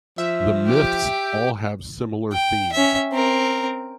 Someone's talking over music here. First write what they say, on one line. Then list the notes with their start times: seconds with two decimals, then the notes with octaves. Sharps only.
The myths all have similar themes.
0.18 F3 E5
0.67 G4 G5
2.33 G5
2.72 C#4 E5
3.12 C4 A#4